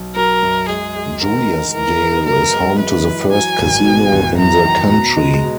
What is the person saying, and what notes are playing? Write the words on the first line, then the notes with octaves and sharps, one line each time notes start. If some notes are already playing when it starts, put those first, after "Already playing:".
Juliasdale is home to the first casino in the country.
Already playing: B1
F#3 A#4
F#2
G#3 G#4
G#3
D#3 A#4
D#3
E3 A#4
B3
F#2 A#4
G#3
F#2 B4
E3
F#3 G#5
G#1
B2
E2
F#2 A#5
D#3
B2 A#5
G#3
B2